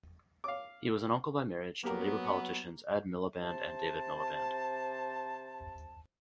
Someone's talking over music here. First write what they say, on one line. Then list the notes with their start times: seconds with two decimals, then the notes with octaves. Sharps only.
He was an uncle by marriage to Labour politicians Ed Miliband and David Miliband.
0.44 F5 D6
1.83 F#3 A#3 B3 G4 A#4
3.42 C3 C5 A5